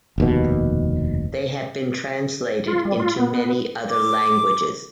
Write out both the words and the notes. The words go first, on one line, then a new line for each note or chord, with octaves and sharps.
They have been translated into many other languages.
F1 D#2 B2
F4
G3
F4
B3
D6